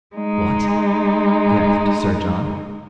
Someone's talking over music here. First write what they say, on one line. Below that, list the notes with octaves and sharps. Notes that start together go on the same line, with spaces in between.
"What!" gasped Sir John.
G#3 D#4